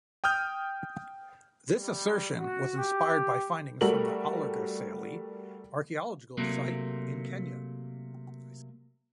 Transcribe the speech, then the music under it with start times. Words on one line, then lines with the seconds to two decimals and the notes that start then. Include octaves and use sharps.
This assertion was inspired by findings from the Olorgesailie archaeological site in Kenya.
0.24 G5 D#6 F6 G6
1.77 G3
2.37 F#4
2.77 G4
3.81 G3 A3 F#4 A4 A#4 F#7
6.37 C3 F#3 A3 A#3